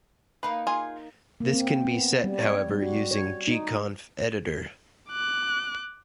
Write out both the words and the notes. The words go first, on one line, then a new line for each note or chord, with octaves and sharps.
This can be set however using gconf-editor.
A#3 D#4 B4 F5
F4 G#4 G#5
A#3
C4
B3
G3
C#5
G3
F#4
C#5
D#4
D6 F#6